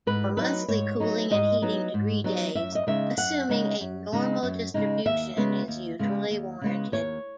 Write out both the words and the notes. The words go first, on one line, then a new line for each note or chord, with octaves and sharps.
For monthly cooling and heating degree days, assuming a normal distribution is usually warranted.
G#2 B4
F#3 B3 D#4 B4
G#2 C#5
F#3 B3 D#4
G#2 D#5
F#3 B3 D#4
G#2
F#3 B3 D#4
F#2 E5
D#5
C#3 G#3 D#4 E5
F#2 F#5
C#3 G#3 D#4
F#2
C#3 G#3 D#4
F#2
C#3 G#3 D#4
D#2 E5
C#3 G#3 B3
D#2
C#3 G#3 B3
D#2
C#3 G#3 B3
D#2 C#5